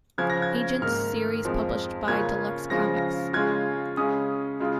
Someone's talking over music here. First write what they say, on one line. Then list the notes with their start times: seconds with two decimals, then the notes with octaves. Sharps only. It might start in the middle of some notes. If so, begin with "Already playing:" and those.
Agents series published by Deluxe Comics.
0.18 C#3 F3 C#4 G#6
0.30 A#6
0.42 G#6
0.82 G#2 D#3 A#3 F6
1.45 F2 F3 G#3
2.07 C#3 A#3 C#4 F4 G#6
2.70 C#3 F3 G#3 C#4 F4 A#6
2.97 A#6
3.33 C#3 G#3 C#4 F4 G#6
3.97 C#3 G#3 C#4 D#6
4.60 C#3 G#3 F4